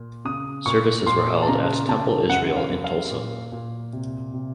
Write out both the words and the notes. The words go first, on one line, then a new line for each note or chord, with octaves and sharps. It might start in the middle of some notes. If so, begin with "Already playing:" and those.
Services were held at Temple Israel in Tulsa.
Already playing: A#2
C#3 D#6
A#2 C#6
A#2 C6
A5
C#3 A#5
C#3 A5
F#2 F#5
F5
F#2
F5
A#2
A#2
C3
C3